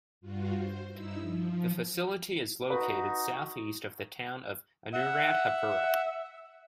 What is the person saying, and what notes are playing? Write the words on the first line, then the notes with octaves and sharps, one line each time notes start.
The facility is located southeast of the town of Anuradhapura.
G2 F4 F#4
C5
G2 D#4 E4 E6
F3
D#4 F#4 B4
E5 F#5